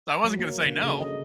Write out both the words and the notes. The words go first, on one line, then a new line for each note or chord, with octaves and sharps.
So I wasn't gonna say no.
F#3
A#3
D3
C#3
D#5